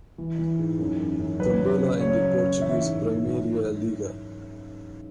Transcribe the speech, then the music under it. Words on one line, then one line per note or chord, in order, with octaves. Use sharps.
Tondela in the Portuguese Primeira Liga.
E3
E3
G#2
F#2
F#2
F#2
F#3 B4
F#3
C#3
F#3 C#5
F#3
F#2
E3 E5
G#2
G#2